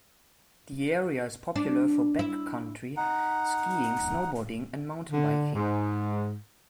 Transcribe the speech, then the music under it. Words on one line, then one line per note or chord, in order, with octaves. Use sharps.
The area is popular for backcountry skiing, snowboarding, and mountain biking.
D4
E4
D#4 F#5
D3
G#2